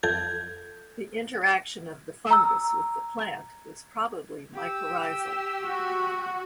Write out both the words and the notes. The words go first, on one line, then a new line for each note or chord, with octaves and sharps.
The interaction of the fungus with the plant was probably mycorrhizal.
F2 A4 G6 G#6
A#5 E6
G4 E6
F#4